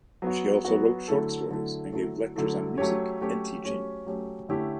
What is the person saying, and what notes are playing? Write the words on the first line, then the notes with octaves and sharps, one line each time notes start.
She also wrote short stories and gave lectures on music and teaching.
F#3 B3 F#4
F#3 B3 F#4
D3 F#3 A3 E4 A4
D3 F#3 A3 E4 A4
D3 F#3 A3 E4 A4
D3 F#3 A3 E4 A4
F#3 A3 C#4 G4 C#5
F#3 A3 C#4 G4 C#5
F#3 A3 C#4 G4 C#5
F#3 A3 C#4 G4 C#5
D3 A3 C#4 E4 G4